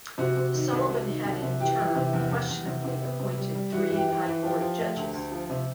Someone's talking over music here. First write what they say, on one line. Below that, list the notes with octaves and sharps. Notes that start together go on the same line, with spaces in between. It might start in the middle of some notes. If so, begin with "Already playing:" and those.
Sullivan had in turn questionably appointed three High Court judges.
C3 F#4
C3
D#3
C2
C3
D#3
C2
C3
E3 G4
E3
C3
E2
E2
E2
C3
C3
B3
C3
G3
G3
E3 F#4
E3
G4
E3
E3
F3 G4
F3
A3
D2
D2
F3
C3